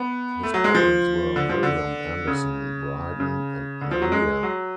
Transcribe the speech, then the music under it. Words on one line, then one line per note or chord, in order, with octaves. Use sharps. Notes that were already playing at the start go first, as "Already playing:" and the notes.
His parents were William Anderson Bryden and Maria.
Already playing: B3
A3
F#3
G#3
F3
D3
F3
D3
C#3
C#3
D3
F3
F#3
G#3
F#3